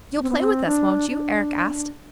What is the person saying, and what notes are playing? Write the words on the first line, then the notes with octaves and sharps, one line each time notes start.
"You'll play with us, won't you?" Eric asked.
C4
B3
C4
D4
D4